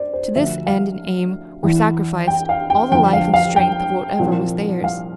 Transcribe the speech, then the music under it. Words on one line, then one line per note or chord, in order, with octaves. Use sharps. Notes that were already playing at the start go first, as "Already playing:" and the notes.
To this end and aim were sacrificed all the life and strength of whatever was theirs.
Already playing: C5 D5
C5
D2 D3 F3 E5
F5
E2 E3
G5
F5
G5
F2 D3 F3 G5
F5
F5
G5
C2 A#2 F3
F5